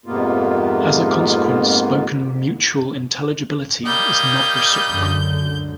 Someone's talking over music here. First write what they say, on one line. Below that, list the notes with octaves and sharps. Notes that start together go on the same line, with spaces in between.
As a consequence, spoken mutual intelligibility is not reciprocal.
F2 G#2 C3 A#3 B3 F4
G3 A#3 D#5 G6
C#2 F#2 D3